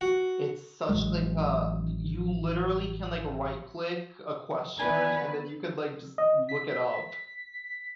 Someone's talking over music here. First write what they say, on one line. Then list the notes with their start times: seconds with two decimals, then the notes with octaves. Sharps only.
it's such, like, a y you literally can, like, right click a question, and then you could, like, just look it up,
0.01 F#4
0.89 A1 E3 F#3 G#3
4.79 D#3 B3 D4 B4 G#5
6.18 D#5
6.49 B6